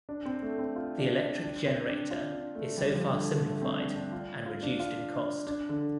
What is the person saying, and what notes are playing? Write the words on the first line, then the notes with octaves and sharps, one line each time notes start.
The electric generator is so far simplified, and reduced in cost.
D4
C4
A3
C4
F4
D4
D4
D4
C4
D4
F4
D4
A3
G3
F3
D3
A3
C4
D4
D4
F4
F4
D4
F4
D4
D4
D3